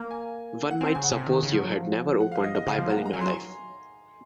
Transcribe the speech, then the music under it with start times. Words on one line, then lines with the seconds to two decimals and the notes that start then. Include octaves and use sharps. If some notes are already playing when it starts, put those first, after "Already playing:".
One might suppose you had never opened a Bible in your life.
Already playing: A#3 A#5
0.11 G#5
0.71 F#5
0.81 C4 G#5
0.95 C#3 G#5
1.04 F#5
1.12 C3
1.27 D#3
1.43 C#3
1.53 F3
1.58 F#3
1.74 F3
2.20 F#5
2.32 F5
2.44 D#5
2.55 D#5
2.67 C#3 F5
2.78 F3
2.90 F#3 F#5
2.97 A#3
3.02 G#3 A#5
3.13 F#3 G#5
3.21 C6
3.25 A#5